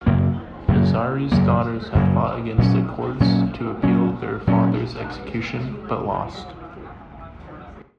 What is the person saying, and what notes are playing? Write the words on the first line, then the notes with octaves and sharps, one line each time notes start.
Nazari's daughters had fought against the courts to appeal their father's execution but lost.
F#2 C#3 F#3 A#3
F#2 C#3 F#3 A#3
F#2 C#3 F#3 A#3
F#2 C#3 F#3 A#3
A#2 F#3 C#4
A#2 F#3 C#4
A#2 F#3 C#4
A#2 F#3 C#4